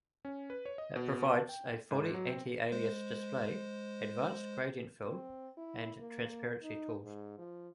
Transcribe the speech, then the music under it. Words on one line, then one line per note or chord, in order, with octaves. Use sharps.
It provides a fully anti-aliased display, advanced gradient fill, and transparency tools.
C#4
B4
C#5
D#5
B2
A5
G5
G#2
F#3
C4
G#3 C5
C4
E4
A#3
D#4
G#2
F3